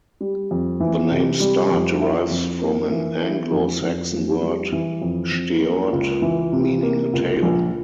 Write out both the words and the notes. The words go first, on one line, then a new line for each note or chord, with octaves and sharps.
The name "Start" derives from an Anglo-Saxon word "steort", meaning a tail.
G3
F2
E3
C3
G3
F2
E4
F2
A#3
E3
E4
F2
F2
F2
G3
E3
F2
F2
A#3
C#2
E3
C3
A#3
C#2
A#1